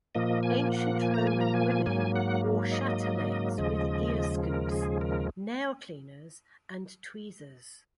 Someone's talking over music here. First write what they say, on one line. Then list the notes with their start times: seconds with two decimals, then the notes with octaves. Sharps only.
Ancient Roman women wore chatelaines with ear scoops, nail cleaners, and tweezers.
0.15 A#2 F3 A#3 D#5
0.43 G#5
0.72 F#5
1.01 G#5
1.14 A#5
1.27 G#5
1.41 A#5
1.54 G#5
1.86 G#2 F#3 A#3 G#5
2.15 F#5
2.72 D#5
3.58 D#2 C#3 F3 G#3 D#5
4.44 A#4
4.72 G#4
5.01 A#4